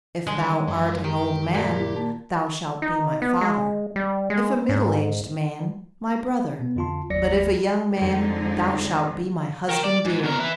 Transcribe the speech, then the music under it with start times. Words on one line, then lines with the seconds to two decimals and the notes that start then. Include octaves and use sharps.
If thou art an old man, thou shalt be my father; if a middle-aged man, my brother; but if a young man, thou shalt be my husband dear.
0.27 D3 D#3 G3 G#3
0.68 F#2 F3 F#3
1.04 D#3 G4
1.54 A#2 F#4
1.78 E4
1.96 A#3 A5
2.82 D#4
3.22 B3
3.41 G#3
3.96 G3
4.30 G#3
4.69 G#2
6.59 B2 B3
6.76 F2 D3 F4 A5 C6
7.10 G1 D#2 F#3 D5 A#6 C#7
7.96 F2 D3 G#3 D#4
9.69 A#4 G5
9.84 D5
10.05 G#2
10.23 B2 A#4
10.40 E4 B4